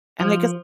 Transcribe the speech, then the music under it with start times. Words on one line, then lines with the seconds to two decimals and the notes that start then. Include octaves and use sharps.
And I guess
0.20 F3